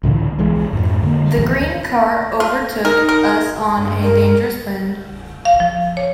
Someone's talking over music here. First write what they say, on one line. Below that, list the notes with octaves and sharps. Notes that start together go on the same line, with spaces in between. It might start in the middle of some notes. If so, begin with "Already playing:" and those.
The green car overtook us on a dangerous bend.
C#2 A2 D3 E3
B1 E3 G#3
F2 G#2
D3 A#3
E1 A1 D#2
F4
D#4 A#4
A#4
G2
A#4
F5
F3
C#5